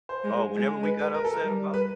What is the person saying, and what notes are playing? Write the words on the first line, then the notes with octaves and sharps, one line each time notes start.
Oh, whenever we got upset about the
C5
G#3
G#3
B4
B4
A#4
A4
A#4
G3
B4